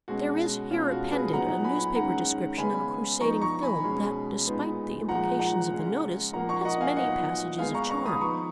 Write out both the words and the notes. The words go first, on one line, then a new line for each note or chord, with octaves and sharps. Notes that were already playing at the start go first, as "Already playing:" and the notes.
There is here appended a newspaper description of a crusading film, that, despite the implications of the notice, has many passages of charm.
B2 G#3 C#4 F#4
B2 G#3 C#4 F4
F#4
G#4 B4
A#2 F#3 B3 D#4 F#5 A#5
G#5 B5
D#3 G#3 C#4 F#5 A#5
C#3 G#3 B3 G#5 B5
F3 B3 D#4 A#5 C#6
A#5 C#6
G#5 B5
B2 G#3 C#4
A#2 G#3 B3 D#4
A#2 F3 G#3 F#5 A#5
F#5 A#5
C#3 G#3 C#4
A#2 F3 A#3 F#5 A#5
A#5 C#6
D#5 F#5
F5 G#5
A#2 F#3 B3 D#4 D#5 F#5
D#3 G#3 B3 D#4 F5 G#5
A#5 C#6
A#5 C#6
B5 D#6
F3 B3 D#4 A#5 C#6